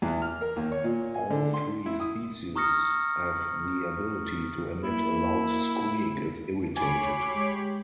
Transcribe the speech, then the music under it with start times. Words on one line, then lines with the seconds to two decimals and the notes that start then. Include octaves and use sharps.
All three species have the ability to emit a loud squeak if irritated.
0.02 E2
0.22 F6
0.41 A#4
0.56 D#2
0.72 C#5
0.84 A#2
1.14 G#5
1.30 D3
1.54 C6
1.86 E4
2.00 D#6
2.56 A#5 C#6 D#6 F6 A#6 C#7
4.84 A#3 E4
6.77 C#5 G#5 B5 D6 C7
7.30 G#3 G4